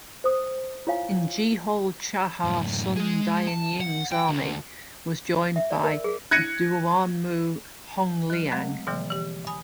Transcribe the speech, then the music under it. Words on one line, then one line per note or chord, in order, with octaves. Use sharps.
In Jehol-Chahar Sun Dianying's army was joined by Duanmu Hongliang.
C5 D#6
E4 F4 C#5 F5 G#5
F#2 A2
G#3 G#4
A5
F#5
G5
D2
E5
D5
A#4
G#4
F#6 G#6 A#6 C#7 D#7
F#3 F6
F#3 G#3 A3 C4
B2 D3 E3 F3 G3 A#3
E3 G4
G#5 B5 D#6